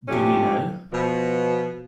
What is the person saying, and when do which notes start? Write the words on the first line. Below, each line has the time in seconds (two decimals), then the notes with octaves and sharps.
Do We Know!?
0.08 C3 F3 A3 C#4 D4 G4
0.92 B2 F3